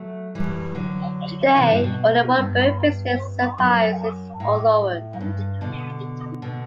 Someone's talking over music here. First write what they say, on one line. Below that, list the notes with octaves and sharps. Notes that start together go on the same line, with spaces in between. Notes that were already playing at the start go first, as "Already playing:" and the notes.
Today only one beret business survives in Oloron.
Already playing: F#3 A3
E3 G3
D3 F#3
C3 E3
G2
B2
G2
F#2
A2
F#2
G2
B2 D3
B2 D3